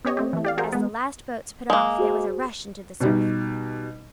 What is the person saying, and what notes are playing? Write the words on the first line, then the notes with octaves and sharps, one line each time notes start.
As the last boats put off there was a rush into the surf.
B3 C#4 G4 C#5 D#5
A3 C4 G4
E3 A3
G4 D5 F5
F#4 G#4 A#4 C5
G#3 B3
G#3 A#3
F#4 G#4 C5
B2 G3 D#4